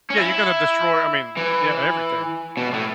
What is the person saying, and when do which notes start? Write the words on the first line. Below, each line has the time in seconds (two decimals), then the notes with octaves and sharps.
Yeah, you're gonna destroy, I mean, yeah, everything. Y
0.10 C#4
0.17 E4
1.37 E3
2.57 B2
2.73 A2